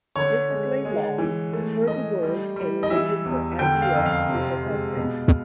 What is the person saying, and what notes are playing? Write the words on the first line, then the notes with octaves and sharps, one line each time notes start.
Mrs Laidlaw heard the words and related her idea to her husband.
D3 C#5
G#3
G#3
E3
A3
A3 D#5
G3
G3
D#5
E3 E5
E2
D3 G5
F5
F2
F5
C3
G#3
B2